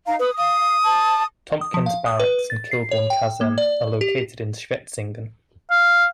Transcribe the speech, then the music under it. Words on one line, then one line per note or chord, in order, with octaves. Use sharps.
Tompkins Barracks and Kilbourne Kaserne are located in Schwetzingen.
D#4 F5 A#5
B4 D#6
F5 D#6
A5
D#6
F3
F5
D#6
B4
A6
C7
C#5
G5
A#3
D5
G4
F5